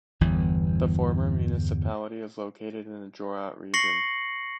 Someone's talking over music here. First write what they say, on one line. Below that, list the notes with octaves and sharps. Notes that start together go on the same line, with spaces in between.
The former municipality is located in the Jorat region.
G1 E2 G2 E3
C#6 A#6 C7 C#7 F#7